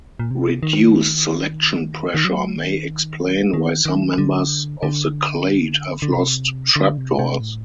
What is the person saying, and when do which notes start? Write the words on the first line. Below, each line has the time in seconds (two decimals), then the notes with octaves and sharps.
Reduced selection pressure may explain why some members of the clade have lost trapdoors.
0.20 A#2
0.31 C3
0.63 D#3
2.14 D#3
2.25 F#3
2.56 D#3
3.53 D#3
3.85 D#3
4.18 D3
4.83 D3
6.02 D3
6.12 C3
6.76 D3
6.97 C3
7.19 C3
7.40 A2